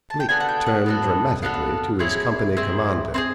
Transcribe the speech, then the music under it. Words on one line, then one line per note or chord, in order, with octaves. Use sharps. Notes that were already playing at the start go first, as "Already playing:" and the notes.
Blake turned dramatically to his company commander.
A5
G5
B3 D4 F#4 A4 G#5
F#5
G5
F#5
B3 D4 F#4 A4
B3 D4 F#4 A4 F5
C4 E4 G#4 C#5
C4 E4 G#4
C4 E4 G#4 C5